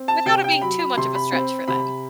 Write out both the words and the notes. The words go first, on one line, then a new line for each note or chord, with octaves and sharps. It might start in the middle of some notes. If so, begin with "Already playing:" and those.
without it being too much of a stretch for them.
Already playing: C4
A5
C3 G5
G5
F#3 B5
B5
C3 C6
B5
C4 B5
C3 B5